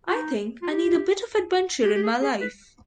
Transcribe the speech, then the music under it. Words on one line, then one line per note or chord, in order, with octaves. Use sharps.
I think I need a bit of adventure in my life.
F4
D#4
F4
G4
G4
G4
G#4
G#4
B4